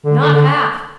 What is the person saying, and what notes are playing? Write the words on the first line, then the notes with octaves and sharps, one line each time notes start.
Not half.
D3
D3
D3